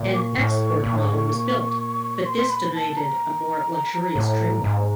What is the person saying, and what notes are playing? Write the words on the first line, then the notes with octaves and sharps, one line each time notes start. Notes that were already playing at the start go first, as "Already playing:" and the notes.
An "Export" model was built, but this denoted a more luxurious trim level.
Already playing: A#2
D6
C#6
A2
A#2
A2
G#2
A2
A#2
C6
B5
A5
A#5
A2
G#2